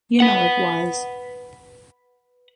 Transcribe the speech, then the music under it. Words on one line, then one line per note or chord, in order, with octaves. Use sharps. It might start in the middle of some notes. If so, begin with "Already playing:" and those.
You know it was.
B4 F#5